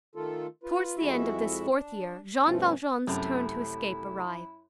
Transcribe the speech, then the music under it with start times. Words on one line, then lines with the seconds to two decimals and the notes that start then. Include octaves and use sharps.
Towards the end of this fourth year Jean Valjean's turn to escape arrived.
0.15 D#3 A3 F4 A4
0.64 F4 B4
0.97 F2 G#3 E4 F#4 E5
1.70 D4
2.45 G2 B2 F3 A3 C4 C#4
3.07 F#2 C3 A3 E4